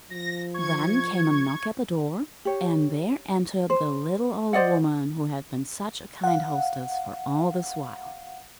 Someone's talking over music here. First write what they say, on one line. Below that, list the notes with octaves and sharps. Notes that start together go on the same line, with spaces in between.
Then came a knock at the door, and there entered the little old woman, who had been such a kind hostess for all this while.
F3 A#6
C#6 G#6
G4 C#5
C5
C5 D5 D#5 F#5
F5 F#5